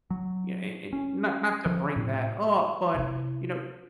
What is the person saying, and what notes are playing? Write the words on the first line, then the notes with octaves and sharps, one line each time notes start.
you a and not not to bring that up, but, you know
F#3
C#4
F3
A2
C3 E4